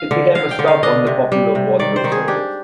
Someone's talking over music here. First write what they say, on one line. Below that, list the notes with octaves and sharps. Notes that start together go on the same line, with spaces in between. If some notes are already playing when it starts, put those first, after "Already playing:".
It became a stop on the popular vaudeville circuit.
Already playing: F5
D3
D3 F5
G5
D3
F5
D4 D#5
C3
G3
C3
D#3 D5
C5
D#3
G#4
D4 G4